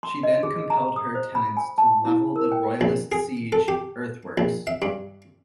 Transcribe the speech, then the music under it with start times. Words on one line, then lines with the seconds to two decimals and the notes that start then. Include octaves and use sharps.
She then compelled her tenants to level the Royalist siege earthworks.
0.03 C6
0.23 D#5
0.43 G#4
0.70 A#5
0.96 D#6
1.15 C5
1.35 B5
1.57 G#5
1.78 A5
2.05 E4
2.36 A#4
2.52 G5
2.81 A#1
3.12 G#4
3.52 A4
3.68 G4
4.38 A#1
4.67 E5
4.82 G2